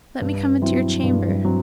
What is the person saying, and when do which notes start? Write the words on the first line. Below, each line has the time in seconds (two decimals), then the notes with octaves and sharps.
Let me come into your chamber.
0.21 G2
0.62 F#3 C4 E4
1.03 G2
1.45 F#3 C4